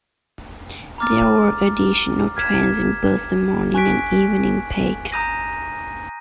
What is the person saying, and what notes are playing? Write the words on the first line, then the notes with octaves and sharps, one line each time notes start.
There were additional trains in both the morning and evening peaks.
A#5 D6 F6 A6
F6 G#6 B6 E7
G#5 C#6 F#6 B6 D7
A#5 D#6 G6 A#6 D#7